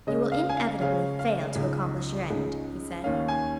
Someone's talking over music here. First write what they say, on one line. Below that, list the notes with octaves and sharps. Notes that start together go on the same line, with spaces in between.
"You will inevitably fail to accomplish your end," he said.
C#3 G#3 C#4 D#5
F5
G#5
F5
C#3 G#3 C#4 F5
F5
C#2 C#3 G#3 D#4
C#2 C#3 G#3 D#4
D#2 D#3 C#4 F5
G#5